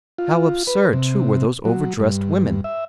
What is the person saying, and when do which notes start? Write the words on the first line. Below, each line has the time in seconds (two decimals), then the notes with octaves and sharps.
How absurd, too, were those overdressed women!
0.18 F4
0.67 B4
0.93 C3
1.65 F#3
2.00 G2
2.64 E5